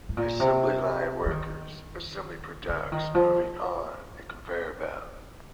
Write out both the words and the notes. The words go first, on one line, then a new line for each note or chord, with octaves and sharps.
Assembly line workers assemble products moving on a conveyor belt.
A2
A#2
C3
F3
D#3
D3
D#3
F3